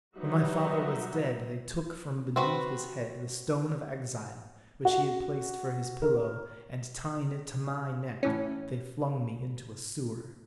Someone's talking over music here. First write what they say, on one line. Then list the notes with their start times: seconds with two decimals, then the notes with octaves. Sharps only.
When my father was dead, they took from beneath his head the stone of exile which he had placed for his pillow, and, tying it to my neck, they flung me into a sewer.
0.17 F#3 G3 D#4 F#4 B4 E5
2.36 C4 F#4 B4
4.85 F#4
6.02 A#4
8.23 A2 E3 C#4